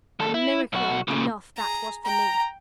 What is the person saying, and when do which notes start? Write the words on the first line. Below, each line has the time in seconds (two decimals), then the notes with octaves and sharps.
And miracle enough that was for me.
0.20 D#2 A4
0.34 E4
0.73 B1 F#4
1.08 A#2 C#3
1.56 G#4 A#5
2.04 G5 A#5